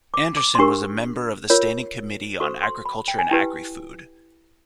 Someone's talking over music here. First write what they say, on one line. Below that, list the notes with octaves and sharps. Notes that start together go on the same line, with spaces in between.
Anderson was a member of the Standing Committee on Agriculture and Agri-Food.
D6
D6
C6
D4 G4 A#4 C#6
F4 A#4 C#5
F#4 A4 C5 C#6
C6
B5
G5
G#5
E4 G4 B4 G5